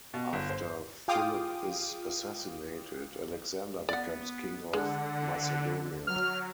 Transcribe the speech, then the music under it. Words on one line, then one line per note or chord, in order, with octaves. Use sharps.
After Philip is assassinated, Alexander becomes King of Macedonia.
B2
G1
C5
F4 G#4 F5 G5 D6 D#6
B3 D5 F#5
D3 G#3 F#5
F#3 F6